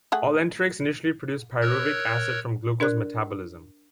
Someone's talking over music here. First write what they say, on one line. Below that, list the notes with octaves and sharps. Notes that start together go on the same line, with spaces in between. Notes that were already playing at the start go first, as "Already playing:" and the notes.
All enterics initially produce pyruvic acid from glucose metabolism.
A3 G#4 F#5
A#4 C#5 E6 F#6 G#6
D4 A#4 D5 F#6